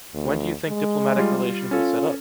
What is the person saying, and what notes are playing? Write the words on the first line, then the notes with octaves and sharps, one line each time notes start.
When do you think diplomatic relations will set up?
D2
G#3
G3 F4
C#4 F4 A4